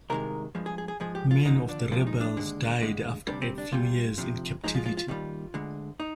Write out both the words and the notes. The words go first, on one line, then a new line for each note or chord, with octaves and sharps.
Many of the rebels died after a few years in captivity.
C2 C3 D#3 G#3 A#4
G2 F3 G#3
G#4
G#4
G#4
G#2 F3 G#3 G#4
G4
F4
D#2 D3 F3 D#4
D4
G2 F3 G#3 F4
D#4
D4
D#2 D3 G#3
D#2 D3 G#3
D2 C3 G3 D4
C4
D4
C2 A#2 G3 F4
D2 C3 F3
G#2 F3 G#3 D#4
F4
F4
F4
D#2 D#3 G3 F4
D2 D3 G#3
D#4